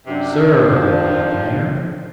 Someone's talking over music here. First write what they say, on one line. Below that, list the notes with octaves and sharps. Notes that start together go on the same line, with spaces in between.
"Sir," replied the mayor.
F#2 C3 D4
D#3 F3